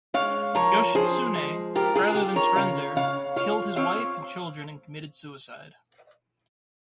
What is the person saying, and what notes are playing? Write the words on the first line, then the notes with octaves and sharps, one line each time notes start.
Yoshitsune, rather than surrender, killed his wife and children and committed suicide.
G#3 C#5 F5
F3 A#4 C#5
F3 G#4 C5
G#3
F4 G4 A#4
F4 G#4
F4 G4
A#4 C#5
C#3 C#5 F5
C#3 C#5 F5
F4 C#5 F5
C4 C#5 F5